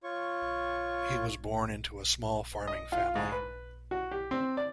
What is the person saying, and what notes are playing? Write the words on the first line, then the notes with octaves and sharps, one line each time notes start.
He was born into a small farming family.
F4 C#5 C#6
D#5
F4
G#2
B4
F#4
G4
C4
D5